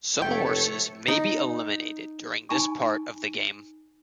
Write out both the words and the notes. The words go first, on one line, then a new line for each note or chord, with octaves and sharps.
Some horses may be eliminated during this part of the game.
F1 A3 A4 C#5 G5
D#4
D#4 G#5 A5 B5 C#6